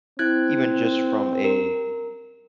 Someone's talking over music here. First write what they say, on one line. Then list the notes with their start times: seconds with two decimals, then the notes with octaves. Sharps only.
even just from a
0.19 C4 E4 F#6 G#6
1.44 A#4